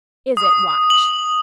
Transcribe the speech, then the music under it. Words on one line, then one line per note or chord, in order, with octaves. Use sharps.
"Is it, Watch?"
D#6
F#7